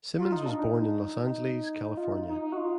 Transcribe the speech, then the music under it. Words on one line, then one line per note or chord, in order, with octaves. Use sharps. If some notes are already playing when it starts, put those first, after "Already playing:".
Simmons was born in Los Angeles, California.
F4
D#4
D4
D#4
F4
D#4
D#4
D#4
F#4
F4